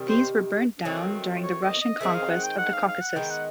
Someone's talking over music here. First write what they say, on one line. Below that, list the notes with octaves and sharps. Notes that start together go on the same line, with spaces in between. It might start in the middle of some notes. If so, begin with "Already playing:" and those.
These were burned down during the Russian conquest of the Caucasus.
Already playing: C3 D#3 G3
C5
D#3 F#3 A3 C4
C#5
D#5
D#5
D#3 G#3 C4 D#4 E5
F5
F#5
G5
F#5
F5
F5
F#5
D#3 G#3 B3 D#4 G5
F#5